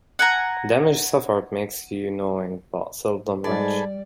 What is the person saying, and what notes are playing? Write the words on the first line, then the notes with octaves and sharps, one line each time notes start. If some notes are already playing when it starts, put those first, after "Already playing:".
Damage suffered makes you knowing, but seldom rich.
F#5 G#5 A#5
G#2 G3 G#4 A4 B4 D5